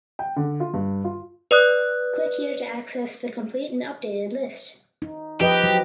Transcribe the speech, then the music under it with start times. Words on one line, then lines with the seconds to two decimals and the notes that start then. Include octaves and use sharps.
Click here to access the complete and updated list.
0.19 G5
0.36 D3
0.60 F4
0.74 G2
1.04 F4
1.51 B4 D5 D#6 F#6
5.02 D#4
5.41 F3 G4 B4 D#5
5.64 F#3